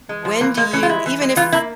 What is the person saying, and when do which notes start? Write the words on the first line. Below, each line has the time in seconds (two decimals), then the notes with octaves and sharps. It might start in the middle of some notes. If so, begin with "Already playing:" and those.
When do you even if
0.09 G#3
0.25 F3
0.41 E3 A#3
0.57 G#3 A#3
0.73 E3 C#4
0.83 F4
0.89 G#3 E4
1.06 E3
1.21 G#3
1.37 E3 F4
1.52 A#3 E4